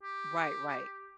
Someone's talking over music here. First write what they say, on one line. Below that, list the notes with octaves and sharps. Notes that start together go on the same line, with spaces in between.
Right, right.
G4